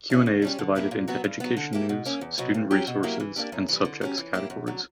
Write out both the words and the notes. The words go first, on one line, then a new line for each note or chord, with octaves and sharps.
Q and A is divided into "Education news," "Student resources" and "Subjects" categories.
G3 C#4 E4
D3
G3 C#4 G4
D3
A#3 E4 G4
A#2
F#3 B3 F#4
G2
F#3 B3
D3
A#3 E4 G4
B2
A#3 C#4
E2
B2 F#3 B3
G2
F#3 C#4 G4
B2
F#3 A#3 E4 G4
E3
A#3 D4 G4
F#2
E3 G3
D3
F#3 C#4 G4
E3
A#3 E4 G4
F#2
D3 F#3